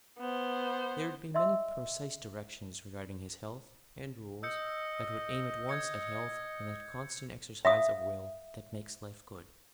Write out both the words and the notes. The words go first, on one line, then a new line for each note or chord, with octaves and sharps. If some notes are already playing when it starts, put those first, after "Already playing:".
There would be many precise directions regarding his health, and rules that would aim at once at health and that constant exercise of will that makes life good.
B3 C5
D#5 E5 C6 E6
D#5 E6 G6 C#7
G6 G#6 C#7
E5 F5 D#6